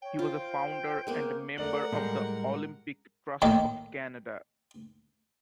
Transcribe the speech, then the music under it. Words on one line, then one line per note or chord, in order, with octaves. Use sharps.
He was a founder and member of the Olympic Trust of Canada.
C#5 G5
F4 C5
G#3 A#3 B3
A3 A#4 D5 F#5 F#7
A2 G3 G#3
A2 D#3 A#3